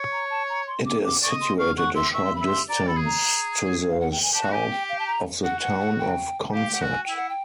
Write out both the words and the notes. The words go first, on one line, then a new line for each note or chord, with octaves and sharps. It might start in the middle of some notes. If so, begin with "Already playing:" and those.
It is situated a short distance to the south of the town of Consett.
Already playing: C#5
A#5
A5
A#5
C6
D6
D6
D5 C#6
D#5
C6
F5 C#6
F#5 C#6
E5 C6
E5 C#6
C6
B5
E5
C6
D5 A#5
A4 B5
G#4
A#5
F5
F#5
G5
G#5
G4 A5
F#4
G4 G#5
G5
F5
A5
A#5
F#4 F#5
F#5
F#5
G5
G4 F5
G4 F#5
F#4
G#5
G5
E4
F#5
G5